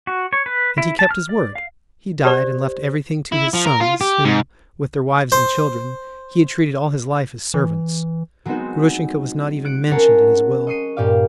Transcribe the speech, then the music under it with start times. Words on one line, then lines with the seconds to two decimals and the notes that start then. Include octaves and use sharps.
And he kept his word; he died and left everything to his sons, whom, with their wives and children, he had treated all his life as servants. Grushenka was not even mentioned in his will.
0.07 F#4
0.33 C#5
0.46 B4
0.78 E4
0.99 A5
1.11 F6
1.29 D5
1.55 F5
2.25 G4 C5 D5
3.32 E4
3.54 F3
3.67 A#4
3.81 F4
4.01 G4
4.25 G#2
5.32 C5
7.54 E3
8.45 F#3 G#3 B3 C4 D#4 F#4
9.65 F#6 C#7 D7
9.91 C#4 G#4 A#4 C#5 F#5 A5
10.67 D#5 C#6 D#6 C7 D#7
10.97 G2 A#2 G4 D5 F5